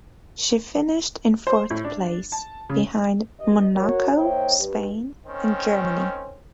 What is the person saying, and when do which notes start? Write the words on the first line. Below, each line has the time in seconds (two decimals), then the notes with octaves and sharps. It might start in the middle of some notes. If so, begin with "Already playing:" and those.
She finished in fourth place, behind Monaco, Spain and Germany.
1.47 C5
1.70 A2
1.85 D4
2.32 A5
2.69 C#3
3.39 G2 D#5
3.75 F#4 A#4 C#5
4.16 A#3 D#4 C5 C#5 E5 G5
4.58 G2
5.27 D#3 C4 C#4